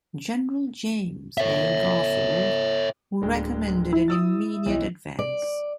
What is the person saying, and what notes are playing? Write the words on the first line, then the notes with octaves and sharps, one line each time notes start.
General James A. Garfield, who recommended an immediate advance.
C#5 E5
D1 G#3 D4
E4
D#6 E6 A6
B1 E3 D#5
D5